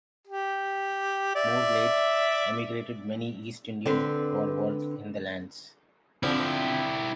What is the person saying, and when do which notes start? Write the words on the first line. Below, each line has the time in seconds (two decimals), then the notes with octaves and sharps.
More late, emigrated many East Indian for work in the lands.
0.27 G4
1.35 D5 E5
3.86 D3 C4 B4
6.23 D3 F3 C4 E4 G4